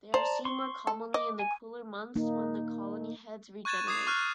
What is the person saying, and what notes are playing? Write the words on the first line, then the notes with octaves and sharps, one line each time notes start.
They are seen more commonly in the cooler months when the colony heads regenerate.
C5 D5 A5 A#5
C6 C#6
A4
D#5 D6
G#5
A#3 D#4
C#6 F#6 G#6 A6 D#7 E7
D6 D#6 G#6 C7 F7
C#6 F6 F#6